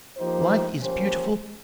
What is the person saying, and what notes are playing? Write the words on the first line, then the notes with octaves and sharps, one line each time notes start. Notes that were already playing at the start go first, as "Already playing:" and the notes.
Life is beautiful.
F3 A#3 D#4 G4 C5
F3 A#3 C#4 G4 C5